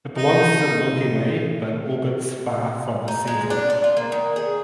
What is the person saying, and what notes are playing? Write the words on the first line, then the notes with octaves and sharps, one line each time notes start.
It belongs to the Milky Way but orbits far from the centre.
D#4
D#4
G#3
D4
D5
F4
A#3
D#3
G#4